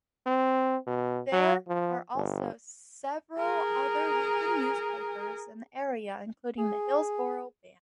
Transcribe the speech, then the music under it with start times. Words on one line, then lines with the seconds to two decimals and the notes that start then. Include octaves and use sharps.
There are also several other weekly newspapers in the area including the "Hillsboro Banner".
0.26 C4
0.87 B2
1.32 F#3
1.68 F3
2.15 G1
3.38 G#4 A#4
6.59 G#4